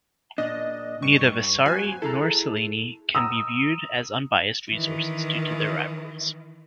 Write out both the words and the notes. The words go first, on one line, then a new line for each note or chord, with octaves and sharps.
Neither Vasari, nor Cellini can be viewed as unbiased resources due to their rivalries.
A#2 D4 D#5
G2 C#6
F#2 F#4 C5 G#5
E4 G#4 A4 A#5
A#5 D#6 E6
D#3 E3